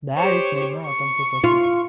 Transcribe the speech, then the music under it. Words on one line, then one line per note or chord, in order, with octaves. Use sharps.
The allies made no attempt to pursue them.
G4 C5 C#5
C#6
F4